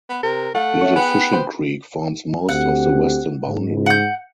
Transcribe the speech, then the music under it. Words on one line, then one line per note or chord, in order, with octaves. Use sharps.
Little Fishing Creek forms most of the western boundary.
B3
C3 A#4
A3 A4 F5 F#5
C#5 E5
B3 G#4 B4 G5
B4 C5 G5 B5
D2 C4 G4 F#5
G#2
F#5 G6